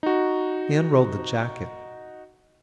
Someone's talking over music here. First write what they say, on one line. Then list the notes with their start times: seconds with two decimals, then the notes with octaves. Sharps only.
He unrolled the jacket.
0.03 D#4 F#4